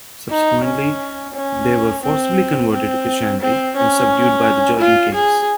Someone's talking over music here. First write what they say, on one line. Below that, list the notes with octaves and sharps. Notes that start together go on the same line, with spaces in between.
Subsequently, they were forcibly converted to Christianity and subdued by the Georgian kings.
D#4
C#4
C#4
C4
C4
C4
C#4
F4
G#4